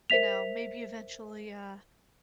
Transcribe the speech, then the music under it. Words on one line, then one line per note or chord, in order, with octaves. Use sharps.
you know, maybe eventually, uh,
A#4 C5 E5 B6 F7